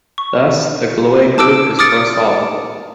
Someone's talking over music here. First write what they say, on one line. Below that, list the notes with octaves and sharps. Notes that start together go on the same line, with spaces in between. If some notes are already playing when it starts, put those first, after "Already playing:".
Thus, the Galois group is prosolvable.
C#6
A5 D6 E6 D7
D6 D#6 F6 A6 C#7 D7